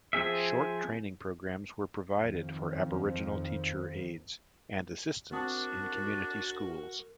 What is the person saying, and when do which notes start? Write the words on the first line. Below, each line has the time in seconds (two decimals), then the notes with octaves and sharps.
Short training programs were provided for Aboriginal teacher aides and assistants in community schools.
0.13 F3 C4 G#4 E5
2.22 F2 D#3 F3
5.32 C4 D4 F#4 A#4 A5 D#6